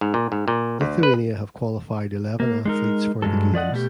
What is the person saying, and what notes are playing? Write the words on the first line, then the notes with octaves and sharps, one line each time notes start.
Lithuania have qualified eleven athletes for the Games.
G#2
A#2
G#2
A#2
D2
B4
A#3
G#3 D#4 A#4
G2 F#3 G#3 A4
F3 D5 D#5 F#5
B2 A3 G4